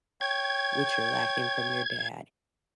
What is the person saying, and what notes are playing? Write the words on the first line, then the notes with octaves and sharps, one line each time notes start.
what you're lacking from your dad."
C#5 G5 G#6